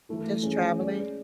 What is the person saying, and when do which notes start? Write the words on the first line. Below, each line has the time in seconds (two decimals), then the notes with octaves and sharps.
Just traveling?
0.09 E3 A3 E4
0.42 E3 A3 C#4 G#4
0.77 G#3 C#4 G#4 D5